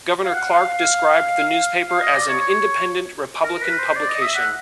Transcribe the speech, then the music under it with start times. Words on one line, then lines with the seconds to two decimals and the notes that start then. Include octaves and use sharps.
Governor Clark described the newspaper as an "independent Republican" publication.
0.24 F5
0.34 F#5
0.51 F5
0.68 F5
1.89 F5
2.02 D#5
2.15 D5
2.28 C#5
2.40 C#5
3.44 A#4
3.62 B4
3.79 C5
3.96 D5
4.09 D#5
4.22 E5
4.35 F#5